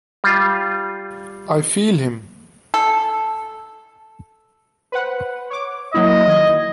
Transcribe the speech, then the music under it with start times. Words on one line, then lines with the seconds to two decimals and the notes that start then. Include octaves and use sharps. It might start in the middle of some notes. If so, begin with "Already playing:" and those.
I feel him!
0.24 G3 F4
2.74 A4
4.92 B4 C5 F#5
5.50 C#5 D6
5.94 F#3 A#3 E4 D#5
6.28 D#3 G#6